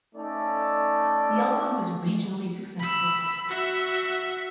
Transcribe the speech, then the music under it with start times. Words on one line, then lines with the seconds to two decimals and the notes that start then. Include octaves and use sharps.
The album was regionally successful.
0.15 A3 C#4 D#4 A4 D5
2.79 B5 E6
3.49 F#4 E5